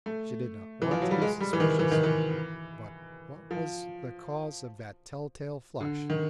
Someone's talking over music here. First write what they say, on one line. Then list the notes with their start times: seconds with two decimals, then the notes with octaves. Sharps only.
She did not want to be suspicious, but what was the cause of that tell-tale flush?
0.06 A3
0.82 E3
0.91 F3
1.02 F#3
1.11 G3
1.22 G#3
1.40 G3
1.53 E3
1.60 D#3
1.79 E3
1.91 D#3
2.03 E3
3.51 F3
5.81 D3
6.10 D#3